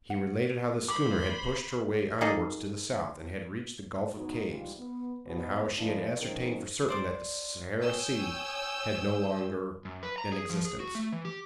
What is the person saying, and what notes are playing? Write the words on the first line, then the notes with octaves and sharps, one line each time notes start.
He related how the schooner had pushed her way onwards to the south, and had reached the Gulf of Cabes; and how she had ascertained for certain that the Sahara Sea had no longer an existence.
F#5
C5 B5 D6
A#3 D#4 G#4 A4
F#3 G#3 B3 D#4
G#2 E3 G3 F4
B3
G#2 B2 B3
C#3 F3 G#3 A#3 D4 E4
D#3 F3 C#4 G#4 A#4 C5
C5 D5 D6
C#5 G5 G#5 D#6 E6 G6
F#2
B4
A#5
G#4
F3
G#4
F#4
A3
E3
G4